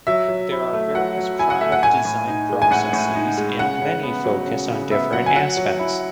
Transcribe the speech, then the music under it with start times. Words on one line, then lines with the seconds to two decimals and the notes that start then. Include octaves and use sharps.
There are various product design processes and many focus on different aspects.
0.07 F#3 E5
0.28 F#3
0.51 E4
0.73 A3
0.95 F#3 F#5
1.18 F#3
1.39 E4 G#5
1.50 F#5
1.61 A3 E5
1.72 F#5
1.82 A2 G#5
2.05 A2
2.27 D#4
2.49 G#3
2.62 G#5
2.71 A2 F#5
2.93 A2
3.15 D#4
3.37 G#3
3.59 C#3 F#5
3.82 C#3
4.03 B3
4.25 F#3
4.47 C#3
4.70 C#3
4.91 B3 E5
5.13 F#3 F#5
5.26 G#5
5.36 F#3 F#5
5.57 F#3
5.79 E4